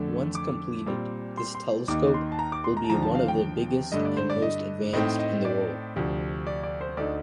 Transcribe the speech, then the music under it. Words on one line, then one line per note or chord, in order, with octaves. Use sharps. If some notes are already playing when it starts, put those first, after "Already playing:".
Once completed, this telescope will be one of the biggest and most advanced in the world.
Already playing: F2 D3 A3
D6
A#2 G3 C4
C6
C6
D#2 D#3 A#3 D#4 D6
C6
A5
A#5
D6
C6
A#5
A5
D#2 D3 F3 A#5
A5
F5
G5
G2 D3 A3 D#5
D5
C5
D5
D#5
A2 A3 C4 D#4 D#5
D#5
D5
D2 C3 F3
D5
D5
C5
D2 D3 A3 D#4 D5